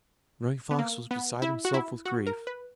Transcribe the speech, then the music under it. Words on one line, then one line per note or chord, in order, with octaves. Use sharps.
Running Fox was beside himself with grief.
B3
A#3
B3
E4
F#4
E4
F#4
A#4
B4